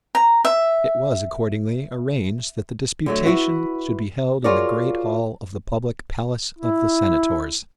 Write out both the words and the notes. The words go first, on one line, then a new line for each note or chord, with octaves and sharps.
It was, accordingly, arranged that the disputation should be held in the great hall of the public Palace of the Senators.
A#5
E5
D3 F#3 A3
B3 E4 F#4
F4 F#4 G#4 A#4 C#5 D5
E4